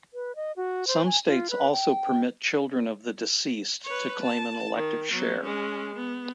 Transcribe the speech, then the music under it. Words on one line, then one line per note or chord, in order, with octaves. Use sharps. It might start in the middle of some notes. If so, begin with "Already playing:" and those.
Some states also permit children of the deceased to claim an elective share.
B4
D#5
F#4
C5
G#5
F4
B4
G5
B4 C#5
A5
D#3
F#3 B3
G#3 C#4
B3